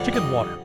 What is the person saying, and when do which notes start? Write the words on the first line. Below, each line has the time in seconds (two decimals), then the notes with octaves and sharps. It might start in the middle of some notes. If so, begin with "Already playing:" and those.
Chicken Water.
Already playing: F2 D3 G3
0.14 D#5